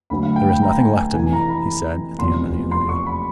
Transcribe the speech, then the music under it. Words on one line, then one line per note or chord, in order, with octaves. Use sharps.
"There is nothing left of me," he said at the end of the interview.
D2 D3 F#3 B5
F5
G5
B5
A#5
G#5
G#5
F2 C3 E3 G#5
A#5
B5
F1 E2 C3 F3 C6
C6
C#6
B5